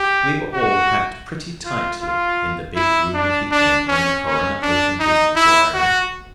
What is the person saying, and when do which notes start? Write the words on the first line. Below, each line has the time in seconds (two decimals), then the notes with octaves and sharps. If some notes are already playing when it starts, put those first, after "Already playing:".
We were all packed pretty tightly in the big room of the inn when the coroner opened his inquiry.
Already playing: G4
0.53 F#4
1.65 F4
2.02 F4
2.76 E4
3.14 D4
3.51 D4
3.88 C#4
4.25 C#4
4.62 D4
5.00 D#4
5.36 E4
5.74 F#4